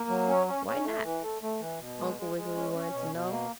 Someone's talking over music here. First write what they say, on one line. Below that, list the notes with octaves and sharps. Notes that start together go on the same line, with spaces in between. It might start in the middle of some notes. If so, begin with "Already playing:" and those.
"Why not?" Uncle Wiggily wanted to know.
Already playing: A#3
F#3
C#4
C#4
C#4
A3
E3
A3
A3
E3
B2
G#3
G#3
G#3
C#4
C#4
B2
B2
A#3